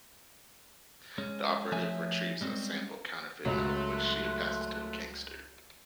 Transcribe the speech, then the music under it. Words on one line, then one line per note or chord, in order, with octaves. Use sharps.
The operative retrieves a sample counterfeit note, which she passes to a gangster.
G#3 C#4
F3 A3 G#4 C#5 E5 G#5
G3 G#3 C4 C#4
C#2 F#3 A3 C6 F#6